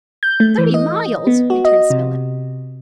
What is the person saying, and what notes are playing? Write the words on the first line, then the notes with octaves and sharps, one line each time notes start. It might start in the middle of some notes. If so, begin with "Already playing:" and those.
"Thirty miles!" returned Spilett.
G6
A3
E3
D#5
B3
F#4
D#5
C3